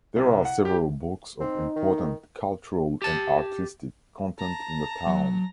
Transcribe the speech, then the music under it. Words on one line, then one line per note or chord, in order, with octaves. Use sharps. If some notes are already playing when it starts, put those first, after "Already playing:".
There are several books of important cultural and artistic content in the town.
C2
F#5
G4
C4 D#4
D#3
G4 A5
A5 A#5
F#3